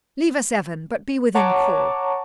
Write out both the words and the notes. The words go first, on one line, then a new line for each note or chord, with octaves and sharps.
Leave us, Evan, but be within call.'
C#5 F#5 A5 A#5 C#6 D6